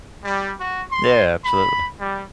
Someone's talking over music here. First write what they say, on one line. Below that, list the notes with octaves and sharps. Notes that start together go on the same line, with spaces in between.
Yeah, absolutely.
G3
F#4
C6
B5
G3